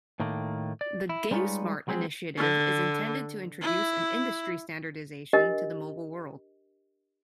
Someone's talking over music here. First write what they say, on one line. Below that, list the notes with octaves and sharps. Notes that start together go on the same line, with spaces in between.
The "GameSmart" initiative is intended to introduce an industry standardization to the mobile world.
A2 D#3 A3 A#3
D5
E4
G3 G#3 D#4 F4 B4 C#5
F#3 G#3 C4 G#4
D3
E4
D4 G4 A#4 D#5